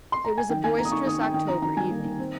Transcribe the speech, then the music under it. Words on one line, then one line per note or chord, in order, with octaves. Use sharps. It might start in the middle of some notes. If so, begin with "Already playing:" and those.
It was a boisterous October evening.
C6
A#5
G#5
D#3 G5
A#3 G#5
A#3 A#5
D#6
D#4 C#6
D#3 D#6
D#3 G5
D#3 G5
D#3 A#5
D#3 A#5
G3 G#5
A#3
D#3
C4